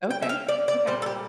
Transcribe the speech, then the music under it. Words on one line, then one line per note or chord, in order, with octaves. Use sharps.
Okay, okay.
G5
E5
F5
D5
D5
A#2 G3 C5
A4
G4